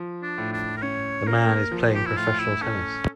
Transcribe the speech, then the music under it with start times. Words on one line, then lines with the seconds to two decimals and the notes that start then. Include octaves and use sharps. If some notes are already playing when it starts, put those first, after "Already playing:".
The man is playing professional tennis.
Already playing: F3
0.23 D4
0.38 A2
0.53 D4
0.77 A#4
0.82 C#4 C#5
1.27 A#3 A#4
1.72 F3
1.94 G4
2.06 E4
2.16 A2 F4
2.39 E4
2.61 C#4 A4